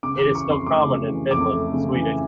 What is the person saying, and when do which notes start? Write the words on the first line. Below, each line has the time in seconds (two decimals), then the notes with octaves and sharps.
It is still common in Finland Swedish.
0.03 C#3 D6
0.19 D6
0.24 E3
0.35 C#6
0.46 F2 C6
0.66 A3 D6
0.88 C#3
1.09 E3
1.31 F2 D6
1.52 A3
1.74 C#3
1.94 E3